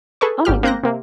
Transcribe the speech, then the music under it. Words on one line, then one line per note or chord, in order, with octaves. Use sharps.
Oh my goodness.
G#4 A4 B4 C#6
G#1 G#2 G4 F6
A#3 C4 F#6 G6 A#6
C3 A#3